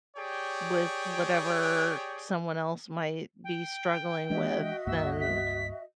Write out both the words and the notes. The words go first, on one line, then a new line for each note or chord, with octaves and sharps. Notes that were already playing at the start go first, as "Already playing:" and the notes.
with whatever someone else might be struggling with, and
G4 G#4 C#5 D5 G5
G5
E3 G#3 D4 F#4 D#5 E5
C#2 G2 A#3 E6
B6